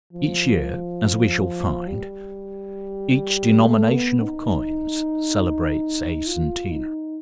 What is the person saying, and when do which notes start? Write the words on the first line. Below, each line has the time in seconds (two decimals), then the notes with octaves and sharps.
Each year, as we shall find, each denomination of coins celebrates a centenary.
0.13 F3
1.88 G3
3.64 A3
3.93 B3
4.22 D#4
6.27 F4
6.71 D#4